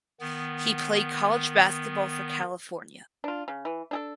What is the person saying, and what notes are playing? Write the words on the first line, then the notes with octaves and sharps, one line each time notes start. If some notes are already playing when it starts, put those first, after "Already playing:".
He played college basketball for California.
D#3 B3
D4 F4
C#3
E3
D4 G#4 A4